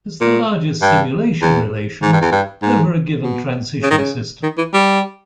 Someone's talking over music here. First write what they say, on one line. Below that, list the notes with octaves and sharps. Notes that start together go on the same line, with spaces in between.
It is the largest simulation relation over a given transition system.
A#2
G2
E2
G#2
G2
E2
G2
G#2
B2
C#3
D#3
C#3
D#3
E3
G3